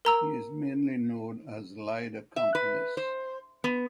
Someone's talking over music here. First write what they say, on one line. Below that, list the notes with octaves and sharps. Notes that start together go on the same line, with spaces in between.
He is mainly known as Lied accompanist.
A#4 A#5 E6
E5
B4
C5
B3